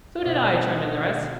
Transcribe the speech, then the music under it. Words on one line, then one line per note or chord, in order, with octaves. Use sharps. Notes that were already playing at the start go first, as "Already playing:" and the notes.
"So did I," chimed in the rest.
D2 B2 F4 F#4 C5 D#5 F#5